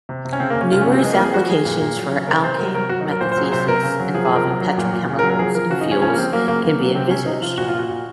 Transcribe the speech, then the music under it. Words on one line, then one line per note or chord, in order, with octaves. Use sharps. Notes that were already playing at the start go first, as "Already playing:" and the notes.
Numerous applications for alkane metathesis involving petrochemicals and fuels can be envisaged.
C3
C3
C#4
C#3 C4
A#3
C#3
C#4
C3 F4
C#4
C3 C4
F3 G#3
A#3
F3
G#4
F3 F#4
F3 G#4
A#2
A#2
F#3
C#3
C3 A#4
C3 C5
F#3 A#4
C3 A#4
F#3 F#4
D#4
F#3
A#4
A#2 C5
C5
F#3
G#4
C3 C5
C3 A#4
C#3
F#3
F3 G#4
G#4
C3
A#4
F#3
F#3
A#2
A#2
C#3
A#4
F#3
A#4
F3 G#4
F3 A#4
C#3 F#4
D#4
F3
C#4
F3 C#4
A#3
F3 C4
F#3 A#3
C#3 A#3
C#3 A#3
F#3
C3 C4
C3 C#4
C3 D#4
F3 F4
A#2 F#4
F4
A#2
F#4
A#2